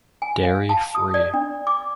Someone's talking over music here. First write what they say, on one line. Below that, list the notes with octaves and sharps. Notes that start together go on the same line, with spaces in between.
Dairy free.
G#5
F5
A5
D#6
D5
D4
D6